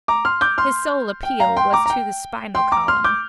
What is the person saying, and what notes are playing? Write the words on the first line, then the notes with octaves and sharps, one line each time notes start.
His sole appeal was to the spinal column.
A#5 D6
C6 F6
D6 G6
C6 F6
G5
F5 A#5
G5 C6
A#5 D6
A#5
G5
G5 C6
A#5 D6
C6 F6
D6 G6